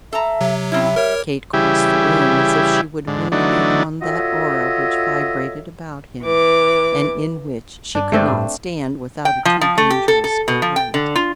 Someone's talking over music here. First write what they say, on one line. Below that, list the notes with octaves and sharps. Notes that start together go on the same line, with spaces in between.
Kate crossed the room as if she would move beyond that aura which vibrated about him and in which she could not stand without a too dangerous delight.
A4 E5 A5 A#5
C3 F#3
C4 C#4 E4 E5
G3 A#4 C#5
C#3 E3 G3 E4 G4 G#4
G#2 D3
D3 E3 F#3 A3 D4 D#4
F4 F#4 A4 C#5 D#5 E5
E3 D6
G2 D4
G2 G#3 A3 C4 D4
A2
G5
F3
F3
A3
G4
A4
A4
B2
F3
G5
D3
F4